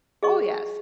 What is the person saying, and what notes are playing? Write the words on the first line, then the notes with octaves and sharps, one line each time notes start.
Oh, yes.
G#4 D#5 C#6